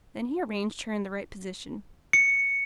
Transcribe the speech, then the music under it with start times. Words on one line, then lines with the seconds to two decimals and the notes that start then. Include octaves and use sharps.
Then he arranged her in the right position.
2.13 C#7